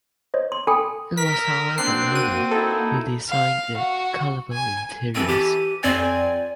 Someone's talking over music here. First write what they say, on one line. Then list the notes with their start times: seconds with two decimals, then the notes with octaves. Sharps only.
It was however Nanna who designed the colourful interiors.
0.34 C5 C#5 D#5
0.52 C6
0.67 A4 G5 G#5 B5 D6
1.17 A#4 D#6 E6 B6
1.78 A#3 C4 D4 F#4 F#6 C7
2.15 D#7
2.51 D#4 E4 A4
3.29 F5
3.77 F#4
4.52 G#5
5.15 E3 C4 A4 D#7
5.28 G4
5.83 F2 C4 D5 G#5